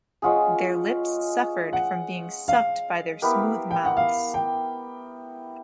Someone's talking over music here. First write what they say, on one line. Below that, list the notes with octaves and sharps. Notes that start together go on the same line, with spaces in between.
Their lips suffered from being sucked by their smooth mouths.
G#3 C#4 F4 G#4 F#5
F#5
F5
B3 E4 G4 A#4
G5
F#5
F5
G5